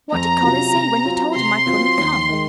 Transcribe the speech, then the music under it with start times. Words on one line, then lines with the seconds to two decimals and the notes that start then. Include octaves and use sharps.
"What did Colin say when you told him I couldn't come?"
0.12 F2 A#5
0.42 C3 F#3 C#4 F4
0.73 C3
1.05 F#3 C4 F4
1.35 C3 C6
1.66 F#3 C4 F4
1.98 D#2
2.29 D#3 G#3